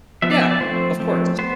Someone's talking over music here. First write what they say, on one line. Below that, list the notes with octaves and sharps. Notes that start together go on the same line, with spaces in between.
Yeah, of course.
F3 B3 E5
D5
E5
D5
F3 A3 C4 C5
F3 A3 C4
B3 C5